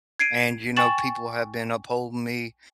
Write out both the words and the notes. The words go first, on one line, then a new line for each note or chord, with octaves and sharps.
and, you know, people have been upholding me,
G#6 C7 D7 D#7
G5 G#5 C#6 A6 E7 F#7